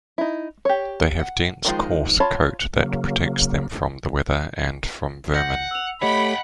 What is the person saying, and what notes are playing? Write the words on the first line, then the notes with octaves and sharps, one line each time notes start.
They have dense coarse coat that protects them from the weather and from vermin.
D#4 E4
G4 C#5
F#5
D#3 F3 G#3 D#4 F4
F4 C#5 A5 B5
C#3 F#3 A#3
F#5 G6 A#6
E6 F7
A3 G4 C#5 D#5 F#5 G5 B5